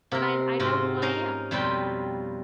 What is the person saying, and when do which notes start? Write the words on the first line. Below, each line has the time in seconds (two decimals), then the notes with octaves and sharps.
but I I know who I am,
0.11 C3 A#4
0.59 G#2 C3 F4 F#4
1.02 C#4 D#4 A#4 F5
1.51 F2 B2 G3 F4 B4 G5